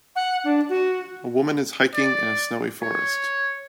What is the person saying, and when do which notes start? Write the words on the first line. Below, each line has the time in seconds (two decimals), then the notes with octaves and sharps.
A woman is hiking in a snowy forest.
0.16 F#5
0.44 D4
0.69 F#4
1.94 D5
2.82 C#5